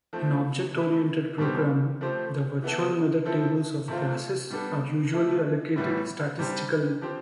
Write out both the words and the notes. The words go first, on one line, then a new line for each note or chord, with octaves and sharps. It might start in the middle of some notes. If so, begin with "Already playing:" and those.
In object-oriented programming, the virtual method tables of classes are usually allocated statically.
F3 A3 C4
A3 E4 B4
B2 G3 C4 G4 C5
F3 A3 C4 G4 C5
E3 B3 E4 A4
F3 C4 E4 A4
C3 F3 A3 C4 F4
G3 B3 D4 A4
F3 A3 E4
A2 E3 G3 B3
C3 G3 D4 G4 C5
F3 C4 G4 C5